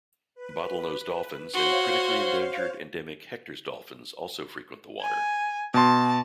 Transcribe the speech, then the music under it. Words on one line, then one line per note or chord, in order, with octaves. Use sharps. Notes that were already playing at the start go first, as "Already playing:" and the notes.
Bottlenose dolphins and critically endangered, endemic Hector's dolphins also frequent the water.
B4
F#4 C5 C#5 F5 C6
G#5
B2 A5 C6